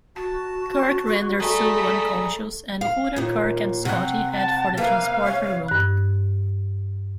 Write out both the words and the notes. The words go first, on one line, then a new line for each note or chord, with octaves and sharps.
Kirk renders Sulu unconscious, and Uhura, Kirk, and Scotty head for the transporter room.
F#4 A5
G3 A3 G#4 A#5
F5
D#2 A#2
C3 F#5
A5
C3 A#3 B4 E5 F5
C#5
G2 F#6